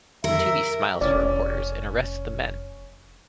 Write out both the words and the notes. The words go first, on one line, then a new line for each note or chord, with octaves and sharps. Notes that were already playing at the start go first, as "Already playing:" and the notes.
Toomey smiles for reporters and arrests the men.
A#4 E5
F1 C#4 D5